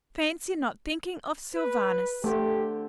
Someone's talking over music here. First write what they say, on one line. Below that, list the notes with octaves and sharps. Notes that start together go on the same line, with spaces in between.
"Fancy not thinking of Sylvanus!"
B4
D3 A3 C4 G4